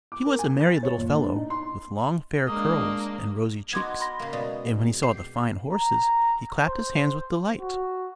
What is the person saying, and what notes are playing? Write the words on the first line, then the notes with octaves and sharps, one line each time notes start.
He was a merry little fellow, with long fair curls and rosy cheeks; and when he saw the fine horses he clapped his hands with delight.
D6
A#4
G#5
A6
C#5
A#2
D4
D#4
C6
G#3 A#3 D4 D#5
B3 D#4 F#4 C6 D6 G#6
B5 C6 A#6
C#3 A#3
B2 G#3 D5
G4 C7
A#5
C5
F#4